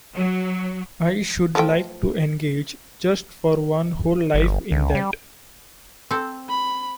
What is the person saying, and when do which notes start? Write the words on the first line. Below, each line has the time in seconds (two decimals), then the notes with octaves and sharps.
I should like to engage just for one whole life in that.
0.15 F#3
1.55 F3 A3 G5
4.34 G1
4.71 C#2
4.95 G3
6.11 C4 A4
6.49 B5